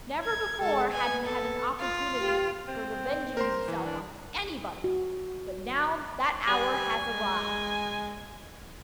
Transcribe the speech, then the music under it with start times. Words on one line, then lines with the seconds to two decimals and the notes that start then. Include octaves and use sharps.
Never before had he had an opportunity for revenging himself on anybody, but now that hour had arrived.
0.23 G#6
0.61 G#3 A4
0.92 B3 G#5
1.24 A4
1.79 F4
2.20 G4
2.68 C4
3.37 A#4 C5 C6
3.68 E3
3.85 D4
4.84 F#4
6.48 G3 G#5
7.09 G#3